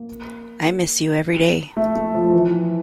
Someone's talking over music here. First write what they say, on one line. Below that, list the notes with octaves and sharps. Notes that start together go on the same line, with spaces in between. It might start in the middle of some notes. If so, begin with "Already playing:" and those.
I miss you every day.
Already playing: A#3
A3
A3
F3
E3